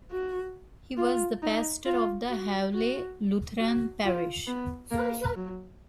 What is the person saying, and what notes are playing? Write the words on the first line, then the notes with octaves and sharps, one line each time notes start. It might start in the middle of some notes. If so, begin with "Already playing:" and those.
He was the pastor of the Hawley Lutheran Parish.
F#4
F4
D#4
F4
F#4
F#4
F#4
F4
B3
A#3
F#3